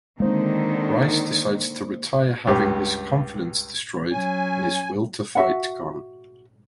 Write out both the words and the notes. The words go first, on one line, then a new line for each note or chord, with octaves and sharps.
Reiss decides to retire having his confidence destroyed and his will to fight gone.
D3 D#3 G#3 A#3 C4 D#4 C5
C#2 G2 G4
F#3 C#4 G#5
F#4 E5 F#5